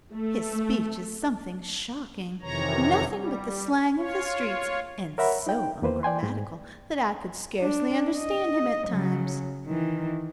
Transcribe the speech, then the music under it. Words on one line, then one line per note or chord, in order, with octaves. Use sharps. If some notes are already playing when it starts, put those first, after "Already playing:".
His speech is something shocking; nothing but the slang of the streets, and so ungrammatical that I could scarcely understand him at times.
A3
F2 C3 D#3 E3 C#5 A#5
G3
F4 C#5
A#4 C#5 E5 F#5 A#5 B5
D#4 G5
E2 A#3 B4 C5
D5 G5 G#5 C6
G#2
D4
D#5
C#3 F#3
D#3 E3